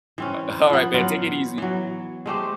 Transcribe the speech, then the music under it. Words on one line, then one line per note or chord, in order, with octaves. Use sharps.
Uh, alright, man, take it easy.
E3 C4 C#4
F3 B3
E3 F#3 F4 F#5
E3 F#3
G#3 A3 G4 C5